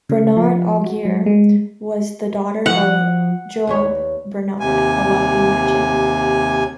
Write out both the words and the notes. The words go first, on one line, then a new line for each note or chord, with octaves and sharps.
Bernard Aguirre was the daughter of Joab Bernard, a wealthy merchant.
C#3
F3
F#4
F#3
G#3
F3 F#4 F#5
D#2 B3 C#5
D#2 C3 G#5